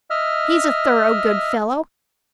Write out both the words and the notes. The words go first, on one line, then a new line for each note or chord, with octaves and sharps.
He's a thorough good fellow.
D#5 E5 F6